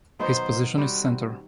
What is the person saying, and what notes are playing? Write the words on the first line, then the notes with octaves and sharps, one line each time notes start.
His position is centre.
D#3 F#3 B3 D#4 C5
G3 C4 F#4